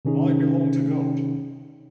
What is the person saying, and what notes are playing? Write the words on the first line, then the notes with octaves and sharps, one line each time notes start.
I belong to God.
C3 D#3 C#4 D#4 G#4